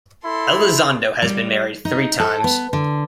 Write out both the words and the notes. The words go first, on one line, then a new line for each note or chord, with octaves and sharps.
Elizondo has been married three times.
E4 A4 C6
G3
D#4
A4
B3
D3